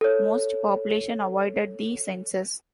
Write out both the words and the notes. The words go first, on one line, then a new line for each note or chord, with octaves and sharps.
Most population avoided the census.
A4 C#5